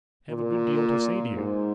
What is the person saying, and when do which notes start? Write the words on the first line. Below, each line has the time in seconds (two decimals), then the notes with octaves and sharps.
I have a good deal to say to you.'
0.30 A#2
1.34 G#2